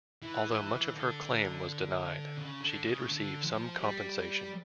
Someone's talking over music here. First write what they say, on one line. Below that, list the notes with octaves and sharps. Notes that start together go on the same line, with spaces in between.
Although much of her claim was denied, she did receive some compensation.
E3
D3
C#3
D3
C#3
D3
F3
G3